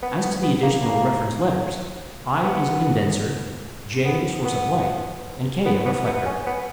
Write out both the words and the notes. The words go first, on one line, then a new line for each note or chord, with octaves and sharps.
As to the additional reference letters, I is a condenser J the source of light, and K a reflector.
B3
B3
B3
A#3
A#3
B3
B3
B3
B3
B3
B3
C#4
B3